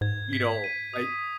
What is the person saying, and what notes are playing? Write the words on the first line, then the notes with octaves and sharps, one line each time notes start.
you know, I
G#2 G#6
B6
D#7
D#6